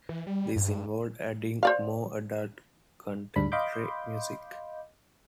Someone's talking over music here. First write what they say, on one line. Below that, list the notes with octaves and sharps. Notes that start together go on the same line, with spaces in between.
This involved adding more adult contemporary music.
E3
G3
G2
C5 D5 F5
D2 G2 D4 B5
D#5 F5 B5 C6 D6 G6